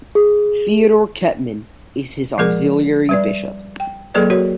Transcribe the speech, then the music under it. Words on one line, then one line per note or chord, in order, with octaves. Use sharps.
Theodor Kettmann is his auxiliary bishop.
G#4
F3 G#3 G#4 A#4
G3 B4 D5
G5
F#3 A#3 G#4 A4 B4 D5
F#4 A#4 C#5